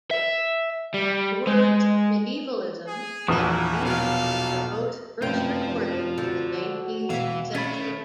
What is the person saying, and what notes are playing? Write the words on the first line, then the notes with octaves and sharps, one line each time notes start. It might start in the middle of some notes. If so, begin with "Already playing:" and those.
The words "medievalism" and "Medieval" are both first recorded in the nineteenth century.
E5
G3
G#3
G#4
A#1 E2 E3 E4 F#4 D#6
B2 F#3 A4 F5
F1 F#2 F4 C5 G5
G2
D3 F3 F#4 A4
E1 E3 E5 F5
A3 C#4 B5 G#6 B6